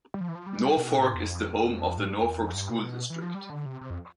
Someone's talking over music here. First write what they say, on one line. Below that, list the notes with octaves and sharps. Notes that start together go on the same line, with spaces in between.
Norfork is the home of the Norfork School District.
G3
F3
E3
F3
G3
B2
A2
E2
F2
A2
G2
E2
F2
G2
B2
E3
F3
G3
D3
C3
C3
F2